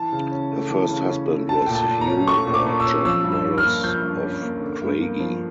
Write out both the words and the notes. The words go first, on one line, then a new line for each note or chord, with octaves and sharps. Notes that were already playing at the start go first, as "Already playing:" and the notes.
Her first husband was Hugh or John Wallace of Craigie.
Already playing: E3 A5
C#3
C#4
A3
E3
C#3
C#4
A3
A3 A5
A#2 G5
A5
A#2
A#5
C#4
A3 C#6
A#2
D6
A#2
E6
C#4
F3 E6
G2
E6
C#4
F6
A#3
F3 G6
G2
C#4
A#3
D3
G2
A#3
F3